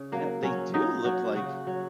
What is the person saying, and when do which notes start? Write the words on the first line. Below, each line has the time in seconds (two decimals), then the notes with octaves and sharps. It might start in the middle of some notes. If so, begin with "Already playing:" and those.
you know, they do look like
Already playing: C#3
0.12 F#3 A#3
0.43 F#3 C#4
0.74 F#3 D#4
1.04 F#3 F#4
1.36 C#3 F#4
1.67 F#3